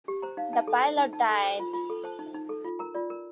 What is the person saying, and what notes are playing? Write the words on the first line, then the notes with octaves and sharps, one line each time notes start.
The pilot died.
G4
C5 A#5
D#4 F5
D#4 A5
A4
C5
D#4
D#4 A5
A4 A#5
C5
F4
F4
A4
C5 A5
D#4
D#4
A4
F4
A#4 A#5
F4 D5
A#4